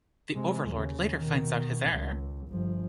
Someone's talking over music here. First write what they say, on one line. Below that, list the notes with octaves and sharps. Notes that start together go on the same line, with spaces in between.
The overlord later finds out his error.
C3 G#3
D#2 C#3
B2 D#3
C#2
G1 F3